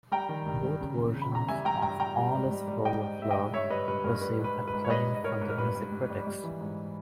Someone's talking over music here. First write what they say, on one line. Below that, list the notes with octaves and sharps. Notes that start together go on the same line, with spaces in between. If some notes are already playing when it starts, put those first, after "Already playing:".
Both versions of "All Is Full of Love" received acclaim from music critics.
G3 G5 A#5
D#3
G2
G3
C#3
E2
C#3
B5
E2 A#5
G3 E5 G#5
G3 G5 A#5
G2 G5 A#5
G2 G5 A#5
G3
G#2
G3
G3
G#2 D#5 G5
G#2
G3 E5
D#5 G5
G#2
G2 C#5 E5
G3 B4 D#5
G2 B4
G2 A#4
G3 B4
G#2
B4
G#2
B4
G#2
C#5
G3 B4 D#5
G#2
D#5
G#2 A#4 C#5
G#2
A#4
G2 B4
G2
G2
G3
G3
E3
G#2